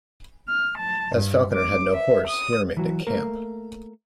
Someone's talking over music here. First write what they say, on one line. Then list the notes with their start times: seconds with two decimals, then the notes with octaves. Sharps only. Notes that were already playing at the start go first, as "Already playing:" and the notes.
As Falconer had no horse, he remained in camp.
0.49 F6
0.79 A5
1.16 G2
1.53 D6
1.92 E5
2.26 D#6
2.77 E3 F#3 F#4
3.07 A3 A#3 A#4